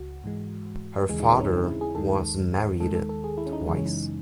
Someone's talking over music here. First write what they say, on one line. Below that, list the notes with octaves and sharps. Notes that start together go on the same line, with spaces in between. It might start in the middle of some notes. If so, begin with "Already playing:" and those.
Her father was married twice.
Already playing: C#2 C#3 F#4
G#2 E3 G#3
D#2 C#3 E3 G#3 G#4
D#4
C4
D#4
C#4
C4
E4
G#4
D#2 D#3 G#3 A4
D#2 D#3 G#3 A4
A4
A4
G#4
E4
C#4
D#4
F#2 C#3 E3 G#3 D#4
C#4
D#4